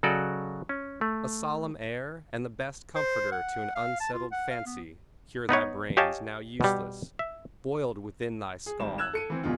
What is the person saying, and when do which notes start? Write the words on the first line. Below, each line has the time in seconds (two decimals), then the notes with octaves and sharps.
A solemn air, and the best comforter To an unsettled fancy, cure thy brains Now useless, boiled within thy skull.
0.03 C#3 F#3 F#4 A4 D5 D#5
0.69 C#4
1.01 A3
2.95 C5
3.32 F#5
3.75 F5
4.00 A5
4.13 F4
4.32 F#5
4.50 F5
4.66 B3
5.49 B3 D#4 B4 C#5
5.97 G4 C#5 D#5 F5 G#5 A5
6.61 B2 G3
7.19 E5
8.66 G#4
8.80 G#1 G3 E7
8.98 E6 F#6 G#6 E7
9.13 A4 C#7 D#7
9.30 E3 C4
9.43 D#1 E2 B2 D3 F4